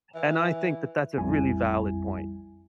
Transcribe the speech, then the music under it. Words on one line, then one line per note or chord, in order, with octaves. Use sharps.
And I think that that's a really valid point.
E3
A#1 F2 G3 E4 G#5